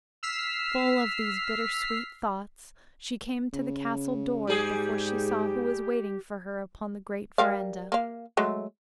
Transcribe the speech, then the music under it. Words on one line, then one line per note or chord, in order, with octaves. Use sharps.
Full of these bitter-sweet thoughts she came to the castle doors before she saw who was waiting for her upon the great verandah.
E6 F6 B6 C7
C#3
G#2 G3 G4 G#4
G3 A#4 F5
A#3 F5
F#3 G#3 A3